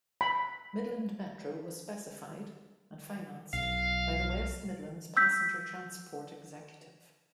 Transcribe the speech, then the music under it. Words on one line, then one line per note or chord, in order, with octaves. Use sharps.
Midland Metro was specified and financed by the West Midlands Passenger Transport Executive.
B5
B1 F5
E6 G6 B6